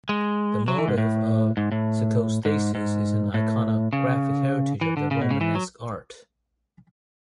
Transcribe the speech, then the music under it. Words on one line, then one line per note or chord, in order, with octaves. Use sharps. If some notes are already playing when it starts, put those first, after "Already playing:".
This motif of psicostasis is an iconographic heritage of the Romanesque art.
G#3
F#3
E3
G#2
A2
G#2
A2
G#2
G#2
A2
C#3
E3
D3
C#3
B2
C#3
E3
F#3